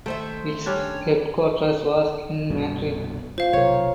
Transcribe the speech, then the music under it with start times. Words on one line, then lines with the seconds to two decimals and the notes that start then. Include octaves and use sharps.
Its headquarters was in Madrid.
0.06 D#3 A3 C5 E5
0.66 G3 C#4 D4 C#5
2.50 C2 G2 B2
3.38 F4 C5 F5
3.53 B1 C3 A#4 C#5